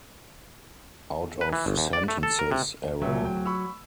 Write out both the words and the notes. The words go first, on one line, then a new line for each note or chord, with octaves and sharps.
Out of sentences error.
B4
E3
G1
D#2
D5
A3
A4
A#4
C3
A#2 F#3 E5
D1 G5
B5 C#6 E6